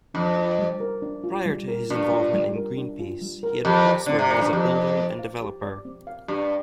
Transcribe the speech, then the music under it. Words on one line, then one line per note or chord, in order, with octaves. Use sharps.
Prior to his involvement in Greenpeace he had prospered as a builder and developer.
F2 D4
F4
G3
A#4
D4
F4
G3
A#4
G2 D4
F4
G3
A#4
D4
F4
G3
A#4
F2 G4
D5
D3 C4
C3
A#2 F5
G2
F2 G4
D5
C4
F5
G4
D5
C4
F5
G2 G4